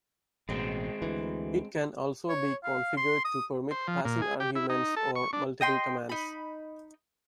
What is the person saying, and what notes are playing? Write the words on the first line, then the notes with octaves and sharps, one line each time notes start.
It can also be configured to permit passing arguments or multiple commands.
A1 B2 G#3 C4
D2 E3
C#5
F5
C6
D#6
C5
F3
A#2
G#4
G4
E4
D#4
A4
C#6
D4
D#5 G5 C6
D#4 B5